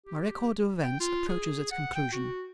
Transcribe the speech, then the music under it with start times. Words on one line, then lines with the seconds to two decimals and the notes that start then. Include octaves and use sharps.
MY record of events approaches its conclusion.
0.06 G4
0.83 G5
1.00 F4
1.29 G#4
1.71 F#5
1.95 G5
2.13 F#4